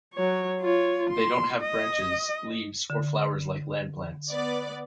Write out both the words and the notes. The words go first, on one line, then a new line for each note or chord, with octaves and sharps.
They don't have branches, leaves or flowers like land plants.
F#3 C#5
F4 C#5
C6
D#5
D3
B3 D5